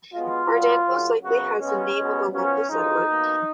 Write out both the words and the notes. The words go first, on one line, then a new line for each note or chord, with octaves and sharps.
Bardane most likely has the name of a local settler.
B2 G#3 B3 F4
A#2 F#3 B3
F#2 C#3 F#3
F#2 C#3 F#3 B3 F#4
C#3 G#3 B3 C#4
B2 G#3 B3
F#2 F3 B3 C#4
C#3 F3 G#3 D#4
B2 A#3